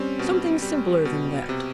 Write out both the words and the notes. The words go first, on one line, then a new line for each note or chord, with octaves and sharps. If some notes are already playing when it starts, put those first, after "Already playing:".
Something simpler than that.
Already playing: G3 C4 C#4
B2
G3
B2
C3